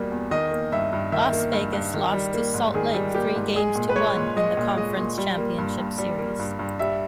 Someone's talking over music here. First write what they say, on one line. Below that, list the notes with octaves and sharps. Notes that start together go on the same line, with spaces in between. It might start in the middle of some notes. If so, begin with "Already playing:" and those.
Las Vegas lost to Salt Lake three-games-to-one in the Conference Championship Series.
Already playing: E2 B2 G3 A#3
E2
D#3 D#5
A#3
G2 E5
G2
D#3 E5
A#3
G2
G2
D#3
G3
A#3
G#2
D#3 G#4
G3
A#3 G4
G#2
G#3 G#4
A#2
B4
G#3 C#5
A#2
G#3 D#5
A#2
G#3 D#5
A#2
G3
A#3
G2
G2
G3
A#3
G2
G2
G3 E5